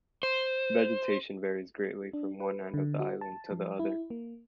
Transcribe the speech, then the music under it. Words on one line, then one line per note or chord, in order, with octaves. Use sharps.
Vegetation varies greatly from one end of the island to the other.
C5
D4
B4
D3
F#4
A5
F3
E4
A#3